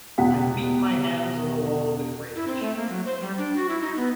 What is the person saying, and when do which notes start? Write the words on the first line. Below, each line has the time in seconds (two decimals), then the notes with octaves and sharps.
I beat my hands on the wall with rage.
0.18 E2 B2 G4 F#5 B6
2.36 E4
2.47 C4
2.63 A3
2.76 A#3
2.89 F#3
3.05 C5
3.21 G3
3.38 D4
3.56 F#4
3.69 E4
3.82 D#4
3.96 B3